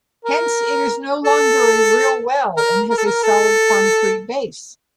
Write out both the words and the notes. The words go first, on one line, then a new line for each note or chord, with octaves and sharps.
Hence it is no longer a real well, and has a solid concrete base.
A#4
A4
A#4
A#4
A4
A#4
A4